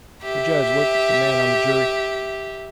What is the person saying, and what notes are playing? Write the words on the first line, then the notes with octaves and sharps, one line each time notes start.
The judge looked at the man on the jury.
G4 E5